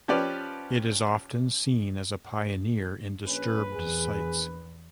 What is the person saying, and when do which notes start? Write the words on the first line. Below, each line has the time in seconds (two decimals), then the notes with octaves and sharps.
It is often seen as a pioneer in disturbed sites.
0.08 F3 C#4 G4 B4 D5
3.26 A#1 C#4 B4
3.72 E2 G#4